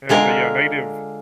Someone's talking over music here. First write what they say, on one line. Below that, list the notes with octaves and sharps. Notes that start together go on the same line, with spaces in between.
and the, uh, Native
D3 G#3 F4 A#4